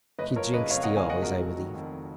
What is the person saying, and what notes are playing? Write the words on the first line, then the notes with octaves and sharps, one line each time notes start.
She drinks tea always, I believe.
F#1 B4 D#5
F3 A#4 C#5
C#3 B4 D#5
F2 C#5 F5
D#5 F#5
F#1
F5 G#5
F3 D#5 F#5
G#4
F1 F#4 A#4
F#3
D#3
F2